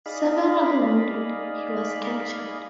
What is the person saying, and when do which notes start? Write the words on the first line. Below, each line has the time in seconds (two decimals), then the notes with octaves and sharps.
Severely wounded, he was captured.
0.06 D#4 G#4 D5 D#5 F5 B5